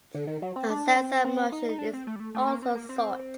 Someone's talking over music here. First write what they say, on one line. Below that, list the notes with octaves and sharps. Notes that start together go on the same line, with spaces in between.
A sense of motion is also sought.
D3
D#3
F#3
C4
D4
C4
C4
D#4
D#4
D4
C4
A3
G3
A3
A3
A#3
C4
A#3
C4